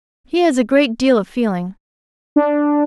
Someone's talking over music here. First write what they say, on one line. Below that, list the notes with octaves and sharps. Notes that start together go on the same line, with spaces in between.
He has a great deal of feeling.
D4